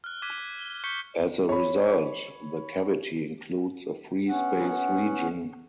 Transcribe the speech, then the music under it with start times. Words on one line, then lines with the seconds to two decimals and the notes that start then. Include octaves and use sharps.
As a result, the cavity includes a free-space region.
0.04 F6 F#6
0.22 D6 F#6 G#6 B6 D#7
0.59 G7
0.84 C#6 G6 B6 C#7 G7
1.49 C#5 B5
4.29 B3 C#4 F#5